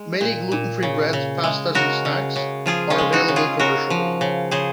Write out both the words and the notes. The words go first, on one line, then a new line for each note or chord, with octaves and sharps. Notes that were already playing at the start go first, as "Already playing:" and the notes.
Many gluten-free breads, pastas, and snacks are available commercially.
Already playing: G#3
A#2
A#2
C#3
C#3
G#3
C#3 F#4 A#4
C#3
C#3
F3 F4 G#4
C#4 F4
G#3
D#4 F#4
C#3
F4 G#4
C#3 F#4 A#4
F3
C#3
C#3 G#4 C5